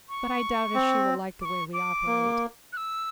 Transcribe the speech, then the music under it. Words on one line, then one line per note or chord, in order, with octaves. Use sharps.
But I doubt if she will like the way we operate.
C#6
C4
D6
C#6
D6
A#3
F#6
E6